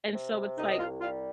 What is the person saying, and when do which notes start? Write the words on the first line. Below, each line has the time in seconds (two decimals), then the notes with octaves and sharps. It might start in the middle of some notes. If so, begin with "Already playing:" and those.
and so it's like,
0.14 C3
0.57 C2 D#4 D#5
0.70 D#5
0.79 F4 F5
1.01 G3 F4 F5